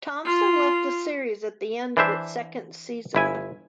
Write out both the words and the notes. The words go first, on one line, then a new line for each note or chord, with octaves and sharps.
Thompson left the series at the end of its second season.
F4
E3 D4 C5 E5
G1 E4 G#5